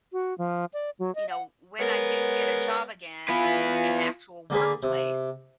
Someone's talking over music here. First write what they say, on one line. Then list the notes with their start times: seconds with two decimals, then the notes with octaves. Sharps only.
you know, when I do get a job again, in an actual workplace,
0.13 F#4
0.38 F3
0.73 D5
0.99 F#3
1.15 D#5
1.29 F#5
1.79 G#3 B3 A#4 C#5
3.29 B3 E4 F4 B4 F5 G#5
4.50 D3 A#3 G#4 B4
4.83 C3